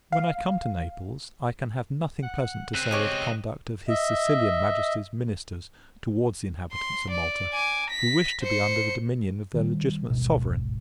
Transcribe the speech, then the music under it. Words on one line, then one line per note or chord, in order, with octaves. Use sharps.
When I come to Naples, I can have nothing pleasant to say of the conduct of his Sicilian Majesty's ministers towards the inhabitants of Malta, who wish to be under the dominion of their legitimate Sovereign.
F5
F#5
C#2 C4 F#6 B6 D#7
C#4 G4 C#5 D#5 D#7
D#5 E5
C6
D5
G#5 D6
A#6 B6
C5 C#7
D#3 G3
D1 G#1 G#2 B2